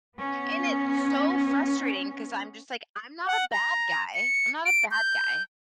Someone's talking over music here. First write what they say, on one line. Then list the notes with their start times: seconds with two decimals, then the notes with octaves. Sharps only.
And it's so frustrating 'cause I'm just like, "I'm not a bad guy I'm not a bad guy.
0.17 B3 C#4
3.27 F#5
3.52 A#5
4.14 C#7
4.66 D7
4.91 G6